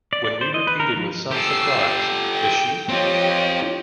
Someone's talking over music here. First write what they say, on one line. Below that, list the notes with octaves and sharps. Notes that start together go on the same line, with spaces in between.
When we repeated, with some surprise, "The sheep?"
D5
D5
C5
D#5
B4
A#4
F3
G4 A4 E6 C7
G5
C4 F4 G4 C#5 D#5